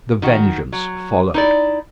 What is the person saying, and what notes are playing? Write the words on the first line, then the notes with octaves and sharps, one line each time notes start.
The Vengeance followed.
D#3 F#4
F#3
D#4 E4 D5